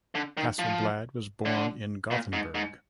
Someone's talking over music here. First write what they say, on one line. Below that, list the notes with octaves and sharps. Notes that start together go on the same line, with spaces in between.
Hasselblad was born in Gothenburg.
D3
D#3
F3
D3
A#2
G#2
G#2